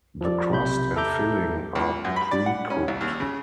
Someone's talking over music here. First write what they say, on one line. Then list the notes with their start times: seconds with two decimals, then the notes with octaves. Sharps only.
The crust and filling are pre-cooked.
0.21 F3 D5
0.51 B1 C3 B5 G6
0.96 A4 E5 A#5 D6 G6
1.75 C#2
2.05 F#2
2.16 B5
2.31 D5
2.46 F#5
2.70 C#4
2.88 C2
3.01 D#2
3.20 C#3